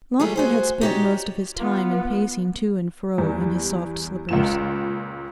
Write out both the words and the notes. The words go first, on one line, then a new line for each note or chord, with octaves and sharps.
Lawford had spent most of his time in pacing to and fro in his soft slippers.
F#3 G3 A3 F4 G#4
F#4 G#4 C5
D#4 F#4 G4 B4 C#5 D5
B3 F4
E2 G3
C#2 A#2 E7